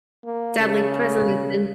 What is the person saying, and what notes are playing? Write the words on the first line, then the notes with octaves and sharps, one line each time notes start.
deadly prison is in
A#3
C#3